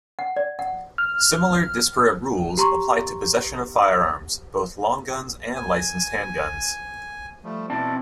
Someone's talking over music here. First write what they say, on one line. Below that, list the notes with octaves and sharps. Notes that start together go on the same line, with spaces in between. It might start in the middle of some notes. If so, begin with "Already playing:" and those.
Similar disparate rules apply to possession of firearms, both long guns and licensed handguns.
F#5
D5
F#5
F6
G4 A#5 C6 C#6
G#5
F3 G3 A3
B2 C4 E4 D5 A5